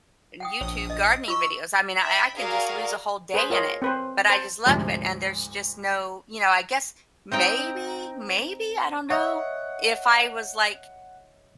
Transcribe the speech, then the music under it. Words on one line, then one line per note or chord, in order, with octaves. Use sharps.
and YouTube gardening videos. I mean, I I can just lose a whole day in it, but I just love it and there's just no you know, I guess maybe, maybe, I don't know, if I was like
F#5 G5 D#6
A#1 C#5 D#6
D#5
F4 C#6 E6
E5 G5 B5
F#4 G#4 A#4 D5 F5
G#4 B4 C5 B5
F4 A#4 C#5 D#5 F5
C4 B4 C5
C5 A5
D2 G#2 C3 F3
C4 D#4 G5 A#5
C#5 D#5 E5 F#5